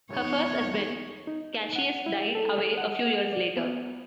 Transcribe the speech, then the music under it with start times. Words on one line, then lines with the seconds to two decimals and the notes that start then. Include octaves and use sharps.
Her first husband, Cassius, died away a few years later.
0.11 E2 D#4 C#5
1.27 D#4
1.76 F#5
2.06 E4
2.35 A4
2.78 F#5
3.32 D5
3.57 B3